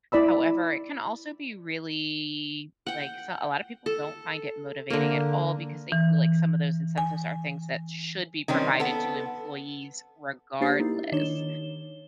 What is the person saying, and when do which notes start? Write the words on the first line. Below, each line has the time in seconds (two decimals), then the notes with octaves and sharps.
However, it can also be really, like so, a lotta people don't find it motivating at all because they feel like some of those incentives are things that should be provided to employees regardless.
0.12 E4 D5 B5 E6
2.87 F#5 G5
3.86 A4
4.90 D3 A#3
5.92 E3
6.98 G#5
8.48 D#3 G3 C4 C#4
8.80 B3 A4
10.61 A#3 D4 G4 C5 A6 C7
10.79 A#3 D#4 E4 G4
11.12 D#3 D4 D#4 C#5 E7 G7